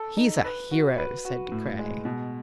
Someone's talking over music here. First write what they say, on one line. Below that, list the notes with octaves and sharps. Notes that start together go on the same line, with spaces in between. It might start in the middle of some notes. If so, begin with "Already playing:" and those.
"He's a hero!" said De Craye.
Already playing: A4
D#4
B4
F#4
B4
F#4
A2
G#3
B2